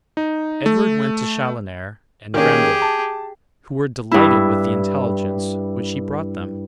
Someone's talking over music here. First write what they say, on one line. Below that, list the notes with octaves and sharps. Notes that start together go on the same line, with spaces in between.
Edward went to Chaloner and Grenville, who were delighted with the intelligence which he brought them.
D#4
A3
D#3 A#3 C#4 G4 G#4
A5
G2 E4